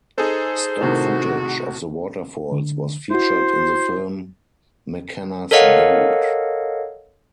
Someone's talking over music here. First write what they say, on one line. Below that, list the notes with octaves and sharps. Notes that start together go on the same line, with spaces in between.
Stock footage of the waterfalls was featured in the film "Mackenna's Gold".
D#4 G#4 A4 C5
A2 C3 D#3 F#4
D3
E4 F#4 C5
A4 A#4 C#5 D#5 F5 F#5